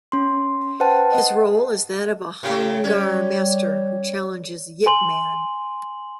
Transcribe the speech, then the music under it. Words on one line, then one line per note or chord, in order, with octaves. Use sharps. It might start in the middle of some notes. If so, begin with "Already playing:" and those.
His role is that of a Hung Gar master who challenges Yip Man.
C#4 C6
B4 C5 F#5 G5 A5
D#5 F#5
A2 C#3 G4
G3 C#4
G#5 C6 F#7